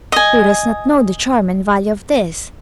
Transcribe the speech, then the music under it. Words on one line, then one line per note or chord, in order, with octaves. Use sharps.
Who does not know the charm and value of this?
D#5 G#5